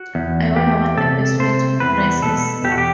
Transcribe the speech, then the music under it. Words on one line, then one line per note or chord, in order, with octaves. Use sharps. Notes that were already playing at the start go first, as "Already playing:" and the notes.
I wonder what the best way to cook rice is.
Already playing: F#4
E2
E2 G4
C3 A4
C3 C5
E2 B4
B2 A4
E2 G4
F#4
G4